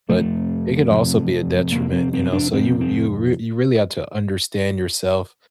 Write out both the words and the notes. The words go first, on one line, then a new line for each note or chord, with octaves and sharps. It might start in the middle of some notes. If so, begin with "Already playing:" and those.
but it could also be a detriment, you know? So you you r you really have to understand yourself,
F2 C3 A3
F2 C3
F2 C3 A#3
C4
C4
D4
F2 C3 C4
C4